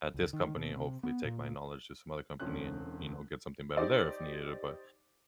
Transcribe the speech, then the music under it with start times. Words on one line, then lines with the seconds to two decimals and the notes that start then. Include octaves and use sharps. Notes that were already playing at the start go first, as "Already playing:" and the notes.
at this company, hopefully, take my knowledge to some other company and, you know, get something better there if needed. But,
0.14 C#2
0.33 D#3
0.56 B2
0.76 C3
1.03 B3
1.25 A#2
2.40 E1 D3 C4 C#4 F#6
3.77 D#4 G4 C5 D5